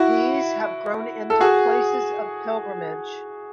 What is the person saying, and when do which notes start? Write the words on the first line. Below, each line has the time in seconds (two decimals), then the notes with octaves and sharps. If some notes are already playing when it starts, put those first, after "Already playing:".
These have grown into places of pilgrimage.
Already playing: E4 F#4
1.30 A4
1.41 F#4 G#4